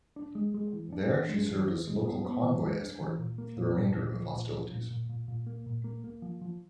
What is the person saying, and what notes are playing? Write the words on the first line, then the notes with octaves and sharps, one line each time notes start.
There she served as local convoy escort for the remainder of hostilities.
D4
G#3
G#3
E3
D4
D4
G#3
E3
E3
G#3
B3
B3
E3
G#3
D4
E3
A#2
A#3
A#2
A#2
A#2
F3
A#2
F3
A#2
A#2
A#2
A#2
A#3
A#2
A#3
A#3
F3
F3